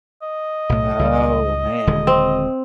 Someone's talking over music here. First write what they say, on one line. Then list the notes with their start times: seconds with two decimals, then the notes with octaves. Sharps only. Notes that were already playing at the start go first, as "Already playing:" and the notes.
Oh, man.
0.22 D#5
0.69 B1 A2
0.99 C#2 G3
1.87 D#1 D3 G#3
2.07 C4